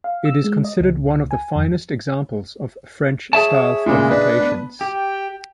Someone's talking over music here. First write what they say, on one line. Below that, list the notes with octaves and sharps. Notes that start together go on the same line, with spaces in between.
It is considered one of the finest examples of French-style fortifications.
F5
E6
G#3
D#5
C#2
G#5
F2
G#4 C#5 E5 A5
A#2 C#3 G#3 A#3
D4 B4 D#5
B3
G4 G5